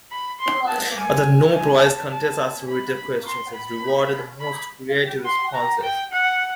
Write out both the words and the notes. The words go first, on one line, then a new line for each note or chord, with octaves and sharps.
Other No-Prize contests asked readers questions and rewarded the most creative responses.
B5
C6
A5
G#5
G#5
A5
A5
B5
C6
B5
B5
C6
A#5
G5
F#5